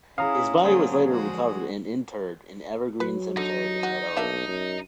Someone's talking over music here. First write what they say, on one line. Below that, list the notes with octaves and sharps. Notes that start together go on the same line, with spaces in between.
His body was later recovered and interred in Evergreen Cemetery in Red Oak.
C#4 E4 G#4 F5 A#5 D#6
D3 F#3 A#3 G#4 C5 F#5
F3 G#3 F#4
F#3 B4
D3 D#4
F#4
B1 A#3 D4 E5
F#2